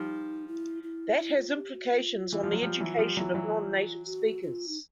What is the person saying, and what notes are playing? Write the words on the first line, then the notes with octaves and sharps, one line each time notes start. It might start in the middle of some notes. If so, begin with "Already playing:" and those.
That has implications on the education of non-native speakers.
Already playing: F3 G3 D#4
E4
E4
E4
F4
G4
F#4
F4
E3
F3
F#3
F3 G3
E3 F#3
F3 G3
E3 F#3
E3 F#3
F#4
F4
D#4